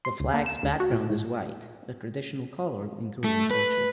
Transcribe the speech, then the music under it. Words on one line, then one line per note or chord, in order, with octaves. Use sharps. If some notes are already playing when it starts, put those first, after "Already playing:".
The flag's background is white, a traditional color in Korean culture.
C6
D2
A#3
E7
D2
F#4
A#2
A2
A3
B4